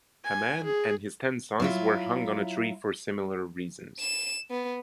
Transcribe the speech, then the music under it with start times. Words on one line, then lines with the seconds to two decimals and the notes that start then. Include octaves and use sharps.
Haman and his ten sons were hung on a tree for similar reasons.
0.24 G#5
0.64 G#4
1.60 F#3 E4 F4
4.00 E7
4.50 B3